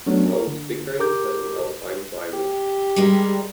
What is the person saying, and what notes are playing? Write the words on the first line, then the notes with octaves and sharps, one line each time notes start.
Mount Pickering has an alpine climate.
F#3 A3 B3 C#4 D4
A#4
D3
G4 A#4 D6 G6
G4
G3 G#3 A#4